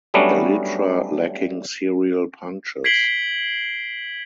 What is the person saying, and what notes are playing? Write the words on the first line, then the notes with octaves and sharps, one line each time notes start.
Elytra lacking serial punctures.
F#3 G3 A3 B3 C#4 D4
G#6 B6 C7 D7 F#7 G7